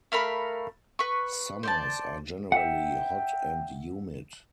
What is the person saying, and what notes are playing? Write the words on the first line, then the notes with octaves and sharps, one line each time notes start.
Summers are generally hot and humid.
A3 A#4 F5 B5
B4 C#6
C5 D5 A5
E5 F#5 G5